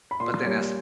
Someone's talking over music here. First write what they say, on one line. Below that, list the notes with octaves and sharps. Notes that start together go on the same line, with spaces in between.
But then as
B5
A#2 C6
G3 A#3 C#4